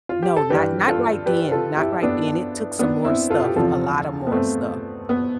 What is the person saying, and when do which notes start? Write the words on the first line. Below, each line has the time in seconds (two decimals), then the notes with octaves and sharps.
No. Not not right then. Not right then. It took some more stuff, a lot of more stuff.
0.09 F4
0.23 G4
0.36 A4
0.50 G2 E3 G3 G4 B4
0.88 F4 A4
1.26 G4 B4
1.51 F4 A4
1.77 E4 G4
2.03 B3 D4
2.79 B3 D4
3.04 C4 E4
3.30 F4 A4
3.44 G4
3.56 E2 C3 F3 F4 A4
4.27 B3
4.32 A3 C4
5.09 B3